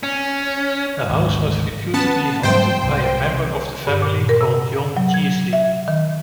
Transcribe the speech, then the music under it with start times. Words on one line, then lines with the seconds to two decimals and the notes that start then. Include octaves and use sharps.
The house was reputedly haunted by a member of the family called John Chiesley.
0.03 C#4
1.09 G#1 D2
1.94 B3 C#4 A5
2.43 G#2 F#3 G3 C5 G5
2.83 C2
3.87 G2
4.02 A#2
4.29 A#4
4.41 C3
4.97 F#3
5.14 G#6
5.53 E5
5.88 D#3